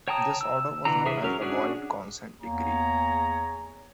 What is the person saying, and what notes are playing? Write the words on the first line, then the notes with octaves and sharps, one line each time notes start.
This order was known as the Boyd Consent Decree.
C#5 G5 A5 A#5 D#6
E6
D3 E3 A#5
E3 G#4 E5
F#3 C#4 A#4
C#4 D4 F#4 G#4
E2 A#3 G#4 C#5 A#5